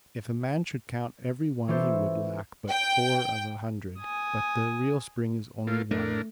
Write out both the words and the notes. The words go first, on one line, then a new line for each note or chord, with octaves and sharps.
If a man should count every one he would lack but four of a hundred, but the real spring is only one.
E3 C#4 F4 G4 A4 C5
G5
G#5 D#6
A3 A#3 F4
A2 A3 D4 A#4